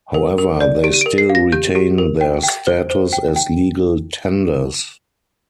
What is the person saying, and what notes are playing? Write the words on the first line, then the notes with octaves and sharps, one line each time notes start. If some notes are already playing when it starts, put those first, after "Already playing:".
However, they still retain their status as legal tenders.
A#4
A#4
D5
G4 D7
D#7
D7
A#4
C7
F5
A#6
G4 G6
G4
A#4
G5
G5
C5
C5
G5
G5